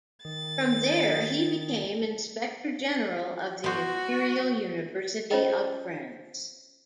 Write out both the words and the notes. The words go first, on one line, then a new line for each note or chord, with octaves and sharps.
From there he became inspector general of the Imperial University of France.
D#3 A6
B3 F#4 C5
C#4 F4 C5 C#5 D#5 G5